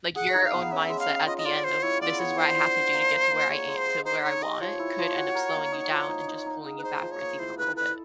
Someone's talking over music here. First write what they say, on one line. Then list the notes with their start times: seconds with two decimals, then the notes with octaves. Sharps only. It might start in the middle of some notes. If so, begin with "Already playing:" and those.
Like, your own mindset at the end of, "This is what I have to do to get to where I am to where I want," could end up slowing you down, and just pulling you backwards even a little bit.
0.15 G#4 F#5
0.34 D#4
0.44 F5
0.52 B3
0.71 C#4 E5
0.89 G#3
1.00 F5
1.09 C#4
1.26 F4 D#5
1.38 D#5
1.45 F4 D5
1.64 F4 C5
1.82 E4 C#5
2.01 B3 D5
2.19 B3 C#5
2.38 D4 C5
2.57 F3
2.75 D4
2.94 A#3
3.12 A#3
3.31 A#3
3.49 G#3 C#5
3.68 G#3
3.77 C5
3.87 G#3
4.05 D#4 C5
4.23 D#4 C#5
4.42 G4 D#5
4.61 F3 C#5
4.79 E4
4.98 F3
5.17 F#4
5.35 A#4
5.53 A#3
5.72 D#4
5.91 F3
6.09 D#4
6.28 D#4
6.46 D#4
6.65 G#4
6.78 B4
6.83 D#4 C5
7.02 F3
7.11 C#5
7.21 A#3
7.39 E4 C5
7.58 A4 B4
7.76 A4 B4